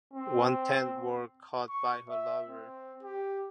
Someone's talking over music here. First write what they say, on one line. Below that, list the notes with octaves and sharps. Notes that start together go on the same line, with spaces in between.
One tenth were caught by her lover.
C4
C#6
E5
C4
G4